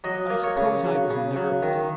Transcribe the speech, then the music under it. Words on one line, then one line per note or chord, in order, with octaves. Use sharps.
I suppose I was nervous.
F#3 D#5
A#3
C#5
C#3
F#3
C#3
F#3
D#3